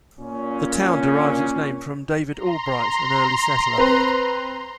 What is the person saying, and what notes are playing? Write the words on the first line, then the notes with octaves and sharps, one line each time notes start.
The town derives its name from David Albright, an early settler.
A#2 C#4
A#5 C6
C4 B4